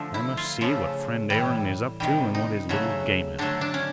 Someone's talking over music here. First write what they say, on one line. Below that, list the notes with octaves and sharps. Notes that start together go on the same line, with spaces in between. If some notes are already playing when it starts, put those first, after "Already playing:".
I must see what friend Aaron is up to and what his little game is.
Already playing: D3 F3 A3
E4
F4
C#3 F3 A3
A2 E3 G3
C3 D#3 G3
D#4
C#3 F#3 A3
D3 F#3 A3 D4
D4
C#4